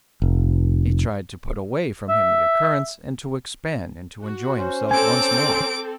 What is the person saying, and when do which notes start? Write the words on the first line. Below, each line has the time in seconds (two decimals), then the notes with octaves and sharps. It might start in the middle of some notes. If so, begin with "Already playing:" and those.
He tried to put away from him the occurrence, and to expand, and to enjoy himself once more.
0.22 F1
2.09 E5
4.23 F#4
4.57 C#4 C5
4.91 C4 A4 G#5 D6 D7